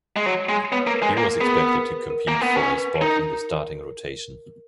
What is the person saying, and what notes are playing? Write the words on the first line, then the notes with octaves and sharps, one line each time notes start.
He was expected to compete for a spot in the starting rotation.
G#3
F#3 C#5
G#3
B3 C#5
B4
A#3 A#4
B4
G#3
A#3 A#4
A#4
B3 G#4
A#4
B4
A#4
A#3
B3
C#4 B4
B4
D#4 A#4